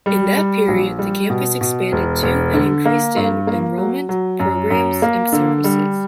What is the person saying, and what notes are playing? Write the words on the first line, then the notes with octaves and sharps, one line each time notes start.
In that period the campus expanded to and increased in enrollment, programs, and services.
G3
G3
A#1
G3
B2
B2
E1
E1
D3
A#3
G2
A#3
F#3
F#3
F#2
F#2
A#3
D3
G3